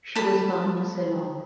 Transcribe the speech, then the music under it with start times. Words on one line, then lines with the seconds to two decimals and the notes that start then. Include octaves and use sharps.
She was bound to Ceylon.
0.16 A5 B5